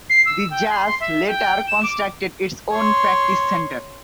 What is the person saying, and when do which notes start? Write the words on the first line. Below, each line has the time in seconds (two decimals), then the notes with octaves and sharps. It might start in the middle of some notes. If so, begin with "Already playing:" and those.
The Jazz later constructed its own practice center.
0.10 C7
0.26 E6
0.51 G5
0.70 C6
0.86 C6
1.00 E5
1.27 G5
1.68 E7
1.83 D6
2.72 C#5 C6